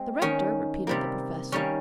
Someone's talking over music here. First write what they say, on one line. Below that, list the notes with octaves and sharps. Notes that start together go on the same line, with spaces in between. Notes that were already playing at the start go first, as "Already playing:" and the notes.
"The rector," repeated the Professor.
Already playing: G#3 C4
D#3 A#3 C#4
C3 G3 A#3
D#3 G3 A#3 C#4